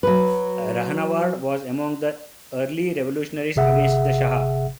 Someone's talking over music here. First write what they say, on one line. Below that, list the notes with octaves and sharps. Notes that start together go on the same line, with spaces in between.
Rahnavard was among the early revolutionaries against the Shah.
F#3 B4
G1 C3 G#4 E5 F#5